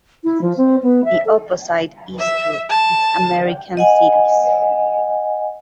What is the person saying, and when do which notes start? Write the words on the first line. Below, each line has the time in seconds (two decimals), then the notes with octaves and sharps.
The opposite is true is American cities.
0.24 E4
0.42 F3
0.57 C4
0.83 B3
1.04 E5
1.25 A4
2.19 E5
2.70 A5
3.77 D#5 F#5 G#5